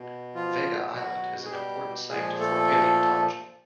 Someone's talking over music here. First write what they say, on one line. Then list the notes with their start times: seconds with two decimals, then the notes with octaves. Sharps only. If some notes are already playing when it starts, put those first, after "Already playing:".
Vega Island is an important site for paleontology.
Already playing: B2
0.35 F3 F4
0.93 B2 F#3 F#4
1.45 G#4
1.51 G3 G4
2.10 A#2 F3 G#3 G#4
2.39 A3 A4